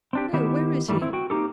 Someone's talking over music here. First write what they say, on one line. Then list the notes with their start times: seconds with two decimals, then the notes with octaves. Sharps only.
"No, where is he?"
0.13 C4 D4 G4
0.33 D#3 B3 E4 G4 C5
0.88 G2 D#3 E3 G3 A3
1.01 C4 E4
1.13 F#4 G5
1.30 A#3 C4 D#4 G4 A4